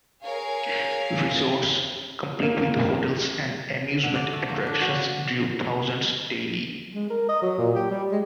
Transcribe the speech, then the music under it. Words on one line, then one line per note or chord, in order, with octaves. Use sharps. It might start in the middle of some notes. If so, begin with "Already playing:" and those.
Resorts, complete with hotels and amusement attractions, drew thousands daily.
G#4 A#4 C#5 F5
A#3
D3
D5
A3
A#3
D4
F#4
G#3
A#4
D#5
F#3
A#2
G4
G3
G#3